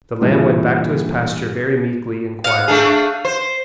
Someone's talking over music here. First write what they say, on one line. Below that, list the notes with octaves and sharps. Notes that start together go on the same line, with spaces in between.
The lamb went back to his pasture very meekly and quietly.
G2 A#2 E3 G3
F5 F#5
A3 D4 G#4
C5